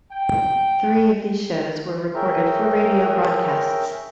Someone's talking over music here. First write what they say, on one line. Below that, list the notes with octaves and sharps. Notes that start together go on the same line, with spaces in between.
Three of these shows were recorded for radio broadcasts.
G5
G#4 A#4 C#5 E5 G5 A#5